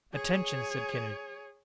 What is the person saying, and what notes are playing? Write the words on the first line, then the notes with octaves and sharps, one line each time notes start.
"Attention!" said Kennedy.
G#4 C#5